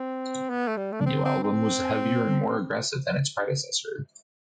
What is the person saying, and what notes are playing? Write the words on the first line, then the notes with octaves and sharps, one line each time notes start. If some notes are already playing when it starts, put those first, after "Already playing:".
The new album was heavier and more aggressive than its predecessor.
Already playing: C4
B3
A3
G3
A3
D4
C4
C4
C4